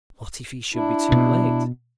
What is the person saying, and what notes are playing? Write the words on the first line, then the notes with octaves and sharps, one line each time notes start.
What if he should be too late?
D4 E4
B2